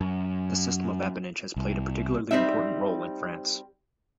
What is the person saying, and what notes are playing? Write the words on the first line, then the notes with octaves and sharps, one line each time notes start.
The system of appanage has played a particularly important role in France.
F#2
C2
G3 C4 D#4 E5